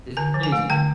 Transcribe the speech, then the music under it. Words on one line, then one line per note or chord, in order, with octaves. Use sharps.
It's crazy.
D3 G#5
F3
G#5
A3
D3 G5